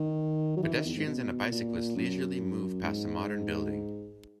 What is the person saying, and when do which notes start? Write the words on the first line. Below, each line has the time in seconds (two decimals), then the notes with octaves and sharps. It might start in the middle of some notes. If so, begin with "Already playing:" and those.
Pedestrians and a bicyclist leisurely move past a modern building.
Already playing: D#3
0.57 F#3
0.63 E3
0.74 D#3
0.85 E2
0.97 G#2
1.07 B2
1.52 A#2
1.96 F#2
2.83 G#2